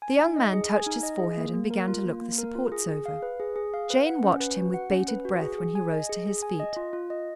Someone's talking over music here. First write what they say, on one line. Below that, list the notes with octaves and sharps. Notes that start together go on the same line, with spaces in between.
The young man touched his forehead and began to look the supports over. Jane watched him with bated breath when he rose to his feet.
G#5
D#4
D#5
G#4
G#5
D#4
D#5
G#4
A#3
A#3
A#4
F4
A#3
A#3
A#4
F4
G#4
G#4
F5
B4
G#4
G#4
F5
B4
F#5
C#4
B4
F#4
F#5
C#4
B4
F#4
G#4
G#4
G#5
D#5
G#4
G#4
G#5
D#5
F4
F4
D#5